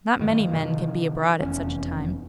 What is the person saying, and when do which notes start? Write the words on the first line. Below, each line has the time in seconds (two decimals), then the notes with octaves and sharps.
Not many men can be abroad at such a time.
0.19 G2 D#3 A#3
0.51 C3 D#3 F3
1.42 F1 E2 C#4